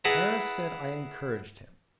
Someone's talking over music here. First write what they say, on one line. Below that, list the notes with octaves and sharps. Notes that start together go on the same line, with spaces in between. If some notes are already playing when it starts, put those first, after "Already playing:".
Harris said I encouraged him.
E4 G#4 B4 F#5 A5 A#5